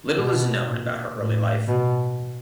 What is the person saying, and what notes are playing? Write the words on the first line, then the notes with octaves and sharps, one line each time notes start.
Little is known about her early life.
B2
A#2
A2
B2